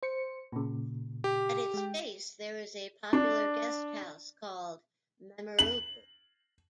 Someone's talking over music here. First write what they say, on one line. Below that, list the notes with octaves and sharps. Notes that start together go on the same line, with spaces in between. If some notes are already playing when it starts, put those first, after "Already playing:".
At its base there is a popular guest house called Memurubu.
C5 C#7
A#2 C#3
G4
G#3 G5
D4
F#7